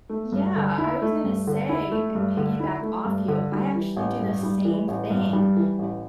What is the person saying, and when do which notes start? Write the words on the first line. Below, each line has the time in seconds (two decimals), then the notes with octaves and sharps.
Yeah, I was gonna say, and piggyback off you, I actually do the same thing.
0.10 A3
0.32 G2
0.55 D3
0.78 E4
1.02 A3
1.24 G2
1.47 D3
1.69 E4
1.92 A3
2.15 G2
2.37 D3
2.60 E4
2.83 A3
3.05 G2
3.28 D3
3.52 G3
3.75 E3
3.96 A1
4.20 G2
4.43 G3
4.65 E3
4.88 A1
5.10 G2
5.33 G3
5.57 E3
5.79 A1